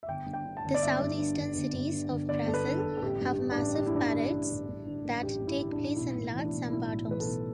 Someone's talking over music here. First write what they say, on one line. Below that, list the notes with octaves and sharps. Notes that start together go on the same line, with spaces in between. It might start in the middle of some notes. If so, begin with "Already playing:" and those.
The southeastern cities of Brazil have massive parades that take place in large "sambadromes".
E5
G1 G5
G2
G5
D3
A5
G1
D5
G1 E5
G2
D3
G1
G1
G2
D3
G1
G1 D5
G2 A4
B4
D3
A4
G1
A4
A1 G4
G2
G4
D3
D4
A1
A1 G4
E4
G2 D4
E4
D3
A1
A1
G2
D3
A1
A1 G4
G2
E4
D3
D4
A1
B1 E4
A2
E3
D4
E4
B1
B1 E4
A2
E3 B4
B1 A4